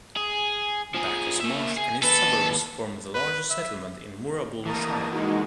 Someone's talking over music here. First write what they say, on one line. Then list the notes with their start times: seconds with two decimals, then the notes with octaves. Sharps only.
Bacchus Marsh and its suburbs form the largest settlement in Moorabool Shire.
0.17 G#4
0.95 F3 G#4
1.41 A#3 E5
1.77 G#4
2.03 D#2 A4 B4
3.14 B4
3.50 E5
4.66 E3 A#3 A5 A#5 D#6
5.12 G#3 D#4 F#4